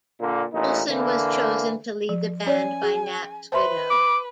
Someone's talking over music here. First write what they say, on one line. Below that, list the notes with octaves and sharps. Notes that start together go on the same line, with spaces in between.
Olsen was chosen to lead the band by Knapp's widow.
A#2 D3 A#3
A1 A#2 D#4
D3 E3 A#3
F3
C#4 C#5 D5 G#5
G#4
B4 C5 E5 C6
D6